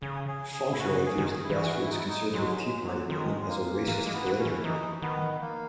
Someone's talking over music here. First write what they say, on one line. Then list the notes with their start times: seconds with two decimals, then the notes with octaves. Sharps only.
Fauntroy views the grassroots conservative Tea Party movement as a racist political group.
0.02 C#3 G#4
0.28 G#4
0.54 G#4
0.72 E4
0.79 C#3 F#4
1.05 G#4
1.18 D#3
1.31 G#4
1.44 E4
1.50 D#3
1.56 E3 F#4
1.82 E4
1.90 D#4
1.98 E4
2.08 D#4
2.33 F#3 G#3
2.59 G#3
2.85 F#3
3.10 D#3 G#3
3.42 G#3
3.49 A#3
3.87 E3 A#3
4.06 G#3
4.13 B3
4.26 F#3
4.39 C#4
4.45 E3
4.56 E4
4.64 E3 D#4
5.02 D#3 B3
5.41 A#3